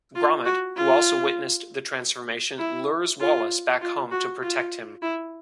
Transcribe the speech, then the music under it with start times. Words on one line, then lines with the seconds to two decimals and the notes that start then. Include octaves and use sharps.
Gromit, who also witnessed the transformation, lures Wallace back home to protect him.
0.15 F4
0.45 F#4
0.76 F4
2.59 E4
3.20 F4
3.81 F4
4.11 F#4
4.42 F4
5.02 E4